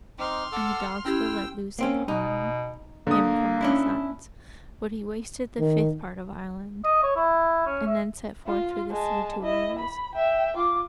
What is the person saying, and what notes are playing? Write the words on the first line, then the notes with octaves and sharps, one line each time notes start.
And the dogs were let loose upon him from all sides. But he wasted the fifth part of Ireland, and then set forth through the sea to Wales.
C4 D#4 C6 D6 F6
A4 F#5 D6 E6
C#4 E4 G4 G5 E6
A#3 C4 C#4
B2 D#4
D3 A#3 D#6
C#4 D4 E4
D#3
D#5
C#5
E4
C#4
E5
F4
G#3 A5
E4 D#5
B5
E5 G5
F4 D6